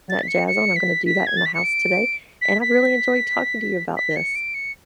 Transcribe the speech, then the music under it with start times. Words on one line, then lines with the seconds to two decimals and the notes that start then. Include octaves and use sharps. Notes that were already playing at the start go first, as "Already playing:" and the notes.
that jazz on. I'm gonna do that in the house today, and I really enjoyed talking to you about this.
0.10 A6
0.23 B6
0.28 C#7
0.48 C#7
0.76 B6
1.06 B6
1.27 G#6
1.37 A6
1.46 B6
1.54 C#7
1.64 D7
2.42 B6
2.62 B6
3.97 B6
4.16 C#7
4.36 D7
4.54 C#7